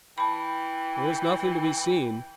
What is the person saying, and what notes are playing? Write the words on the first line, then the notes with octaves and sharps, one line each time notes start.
There was nothing to be seen.
E3 G5 A5 B5